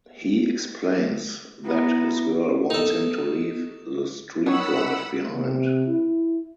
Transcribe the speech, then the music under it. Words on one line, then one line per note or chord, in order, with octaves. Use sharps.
He explains that his girl wants him to leave the street life behind.
B3 E4 A#5
D#4 A4
D#3 B3 C#5 F#5 B5 E6
C3
E4